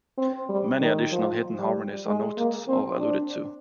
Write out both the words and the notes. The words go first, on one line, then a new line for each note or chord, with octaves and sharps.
Many additional hidden harmonies are noted or alluded to.
C4
G3
D#3
F3
G3
G#3
A#3
C4
D4